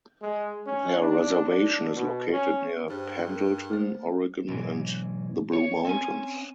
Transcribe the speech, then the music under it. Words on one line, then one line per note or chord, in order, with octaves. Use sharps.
Their reservation is located near Pendleton, Oregon and the Blue Mountains.
G#3
C#4
D4
D4
B2
C#4
G2 G4 G#4 C5
G#4 A#4
A3 C5
B1 G#2 E3
C#5
C4 C#4 G#5